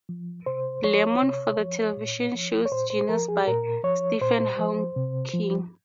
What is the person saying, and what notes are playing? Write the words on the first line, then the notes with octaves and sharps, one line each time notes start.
Lemmon for the television show Genius by Stephen Hawking.
F3
C3 C5
F3 C#5
C3
F3
A#2
F3
C#5
A#2 C5
C5
F3 A#4
G#4
A#2 A#4
F3 C#5
A#2 C5
F3
C3
F3